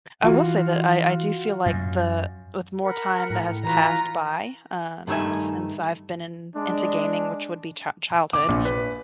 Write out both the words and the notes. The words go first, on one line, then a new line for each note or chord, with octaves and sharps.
I will say that I I do feel like the with more time that has passed by, um, since I've been in into gaming, which would be chi childhood,
E3 F4 F#4
F#2
A#4 F#5 B5
A2
E3 F4 F#4 B4 A#5
G2 D#3 A3 E5 G#5
G#3 D4
D6
A#1
B4